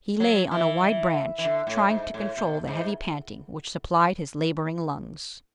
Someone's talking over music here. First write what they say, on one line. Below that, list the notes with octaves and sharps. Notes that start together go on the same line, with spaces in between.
He lay on a wide branch trying to control the heavy panting which supplied his laboring lungs.
F#3
E3
E3
D3
A2
G#2
A2
B2
G#2